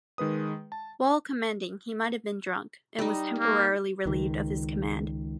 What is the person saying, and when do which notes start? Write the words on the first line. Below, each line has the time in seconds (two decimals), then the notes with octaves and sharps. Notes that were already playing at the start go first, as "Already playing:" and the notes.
While commanding, he might have been drunk, and was temporarily relieved of his command.
0.18 D#3 G#3 B4 D#6
0.72 A5
2.99 G3 D#4
3.38 A#3
4.06 C#2 D#3